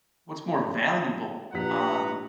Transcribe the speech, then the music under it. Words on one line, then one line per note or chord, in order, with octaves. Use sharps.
what's more valuable, um
A#1 G4 B4 F#5 A#5 B6